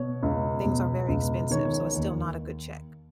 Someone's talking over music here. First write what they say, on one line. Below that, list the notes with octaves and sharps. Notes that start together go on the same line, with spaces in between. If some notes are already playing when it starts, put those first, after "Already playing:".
things are very expensive. So, it's still not a good check.
Already playing: B2 C#5
C#2
B2
C#2
D#3 C#5
D#2